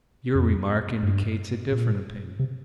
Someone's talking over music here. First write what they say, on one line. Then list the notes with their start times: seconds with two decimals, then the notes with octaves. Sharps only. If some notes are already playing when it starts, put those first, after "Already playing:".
Your remark indicates a different opinion....
0.35 F2
1.03 G2
1.72 A#2
2.39 C3